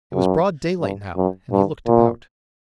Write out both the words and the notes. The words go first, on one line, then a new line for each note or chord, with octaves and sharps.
It was broad daylight now, and he looked about.
F#2
G2
F#2
G2
A#2